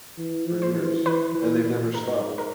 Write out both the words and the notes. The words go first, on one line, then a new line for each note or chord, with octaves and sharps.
for years, and they've never stopped.
E3
F3
C5
E3
E3 B4
E3
A#2
G#2 A#4
A#4